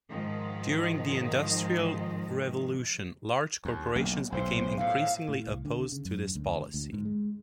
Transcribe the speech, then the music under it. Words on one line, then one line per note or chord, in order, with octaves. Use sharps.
During the Industrial Revolution, large corporations became increasingly opposed to this policy.
G#2 D#3 F3
D#2
B1 A#3
B1 A2 C5
A2 F5
A2
C2
D3
C#3
F#2
D2
D2
G#2
G#3